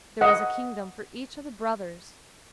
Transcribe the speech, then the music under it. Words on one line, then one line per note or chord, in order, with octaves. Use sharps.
There was a kingdom for each of the brothers.
D#5 F#5